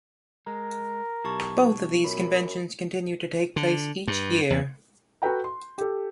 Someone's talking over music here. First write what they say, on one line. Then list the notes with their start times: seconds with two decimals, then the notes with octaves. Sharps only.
Both of these conventions continue to take place each year.
0.47 G#3 A#4
1.24 B1 E4 G4 A5 C#6
2.04 F#2 B5
3.56 D3
4.08 G2
4.50 E2
5.22 F#4 A4 B4 G5 A#5
5.44 C6
5.78 G4 A4